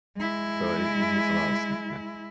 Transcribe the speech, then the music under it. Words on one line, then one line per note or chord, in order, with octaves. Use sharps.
So, it it makes a lot of sense now.
G#3 E4